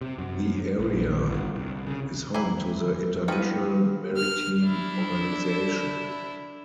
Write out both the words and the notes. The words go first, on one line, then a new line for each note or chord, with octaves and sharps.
The area is home to the International Maritime Organization.
C3
F#2
A#1
G1
C2
C#3
E3 E4 G5 A#5 D6
F3 B3 E4 F#4 G5 F6 D#7
F6
D4 E4